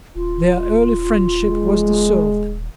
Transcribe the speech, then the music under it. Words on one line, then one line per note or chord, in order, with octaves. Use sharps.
Their early friendship was dissolved.
D#1 F4
G#3